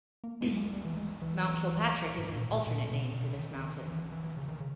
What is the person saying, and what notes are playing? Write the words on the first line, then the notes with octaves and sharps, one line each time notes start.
"Mount Kilpatrick" is an alternate name for this mountain.
A#3
G#3
G#3
G3
E3
G#3
E3
G#2
A#2
A#2
A#2
B2
A#2
B2
D#3
D#3
E3
E3
E3
C#3
D#3
C#3